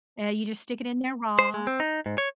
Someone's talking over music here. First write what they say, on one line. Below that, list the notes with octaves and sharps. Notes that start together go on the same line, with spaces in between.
Eh, you just stick it in there raw
C5
G#3
C4
D#4
G#2
C#5